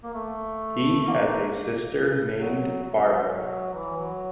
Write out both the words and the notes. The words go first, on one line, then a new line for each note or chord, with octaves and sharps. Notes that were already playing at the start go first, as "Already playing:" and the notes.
He has a sister named Barbara.
A#3
A3
A#3
F#3
F#3
E3
F#3